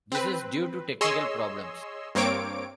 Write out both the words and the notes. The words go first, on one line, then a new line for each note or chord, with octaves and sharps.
This is due to technical problems.
C4 B4
G#4 C#5 D#5 C6 E6
G2 A#3 C4 C#5 D6 D7